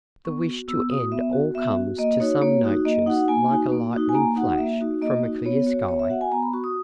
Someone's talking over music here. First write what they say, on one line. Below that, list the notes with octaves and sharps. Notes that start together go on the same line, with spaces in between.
The wish to end all comes to some natures like a lightning flash from a clear sky.
B3 C#6
F#4
B3 E6
F#4 D#6
B3 E5
F#4
B3 E5
F#4
A#3 D#5
D#4 F#4 C#5
A#3 C#5
D#4 F#4
A#3 D#5
D#4 F#4 F#5
A#3 G#5
D#4 F#4
A#3
D#4 F#4
G#5
A#3 A#5
D#4 F#4 F#5
A#3 E5
D#4 F#4
A#3 D#5
D#4 F#4
B3 C#5
F#4 C#5
B3 C#5
E5
F#4 F#5
G#5
B3 A#5
B5
F#4 C#6
D#6